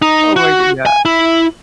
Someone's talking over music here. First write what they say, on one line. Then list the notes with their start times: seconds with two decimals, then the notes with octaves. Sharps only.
Oh my g Yeah.
0.02 D#4
0.36 F#4
0.86 G#5
1.05 E4